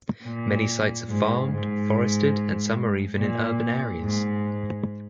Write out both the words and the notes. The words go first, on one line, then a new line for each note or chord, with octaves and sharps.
Many sites are farmed, forested and some are even in urban areas.
A#2
G#2
G#2
A#2
G#2